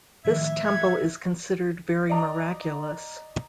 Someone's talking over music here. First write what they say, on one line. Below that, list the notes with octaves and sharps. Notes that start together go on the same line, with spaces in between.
This temple is considered very miraculous.
A2 D#3 F3 A3 E5 G#6
F5 F#6 G#6 C#7
D5 D#5 A#5 D6